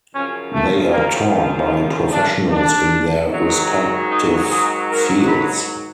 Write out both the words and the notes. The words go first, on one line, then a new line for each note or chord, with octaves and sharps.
They are taught by professionals in their respective fields.
F#2 C#3 F3 C#4
A3
A#3
D4
D4
G#2 D#3 F#3
D#4
G#4
A#4
B4